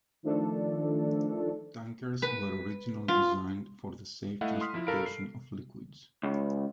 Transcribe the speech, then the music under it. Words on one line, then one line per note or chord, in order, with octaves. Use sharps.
Tankers were originally designed for the safe transportation of liquids.
D#3 F3 A3 D4 A4
B4
F4
A3 E4 D#5 F5 F#5
C6 D#6 F6 B6
F3 E4
G2 A4 A#4 F5 B5 D7
C7
C#2